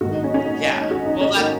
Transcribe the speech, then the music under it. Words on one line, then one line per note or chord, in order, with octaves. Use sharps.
Yeah, well, that's
A#1 G#2 D#3 F#4
D#4
C#4
C#4
D#4
F#4
D#4
C#4
A#3